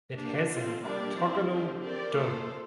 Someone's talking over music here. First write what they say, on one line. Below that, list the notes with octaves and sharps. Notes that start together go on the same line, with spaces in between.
It has an octagonal dome.
A#3 D4 G4
C4 F4 A4 C5
G3 A#3 D4 G4 D5
F3 C4 E4
D3 F3 C4 G4
C4 G4 A#4 D5
A#3 F4 A4 C5